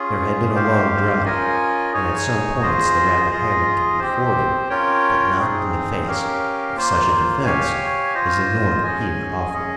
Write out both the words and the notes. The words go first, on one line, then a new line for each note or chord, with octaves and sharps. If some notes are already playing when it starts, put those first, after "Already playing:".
There had been a long drought, and at some points the Rappahannock could be forded, but not in the face of such a defence as the North here offered.
Already playing: C#4 F4 G#4
G4 C5 F5
C#4 F4 A#4 D#5 G#5
D#4 G#4 C#5 G#5
F4 G#4 C5 D#5
F4 G#4 D#5
C4 G4 C5
C#4 F4 A#4 C#5 G5
C4 D#4 G#4
C#4 G4 A#4 F5
A#3 F4 C5
G4 C#5 F5 G#5
F4 C5 D#5
C#4 G#4 D#5 G#5
C#4 G#4 D#5